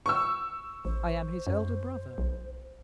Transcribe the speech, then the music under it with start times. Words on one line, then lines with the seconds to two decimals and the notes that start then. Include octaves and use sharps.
"I am his elder brother."
0.06 C#6 E6
0.85 A1 C5
1.47 F#2
2.18 B1